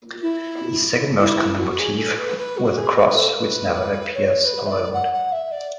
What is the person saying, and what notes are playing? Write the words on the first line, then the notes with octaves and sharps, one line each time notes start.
The second most common motif were the cross, which never appears alone.
E4
E4
E4
F#4
G#4
A4
B4
B4
F#4
G#4
B4
B4
A4
B4
C#5
C#5
B4
E5
D5
F#5
F#5
E5
D5